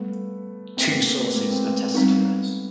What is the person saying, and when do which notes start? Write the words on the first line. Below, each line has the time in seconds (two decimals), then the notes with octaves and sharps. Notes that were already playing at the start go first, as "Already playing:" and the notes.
Two sources attest to this.
Already playing: G3 A3 B3
0.77 A#3 C4
0.92 A3 B3
1.06 A#3 C4
1.20 A3 B3
1.36 G#3 A#3
1.50 A#3 C4
1.65 A3 B3
1.95 G3 A3 B3 C4 D#4